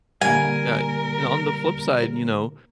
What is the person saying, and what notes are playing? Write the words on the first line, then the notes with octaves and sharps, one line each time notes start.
Yeah, and on the flip side, you know,
A#2 D3 G3 A#3 A#4 G#5